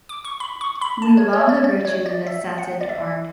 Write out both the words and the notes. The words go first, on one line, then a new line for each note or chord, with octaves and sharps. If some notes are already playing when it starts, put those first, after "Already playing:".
We love the virtue that sets it apart.
D6
C#6
B5
C#6
B5
A5
C#5
C#5
D5
D5
C#5
D5
E5
F#5
D5
E5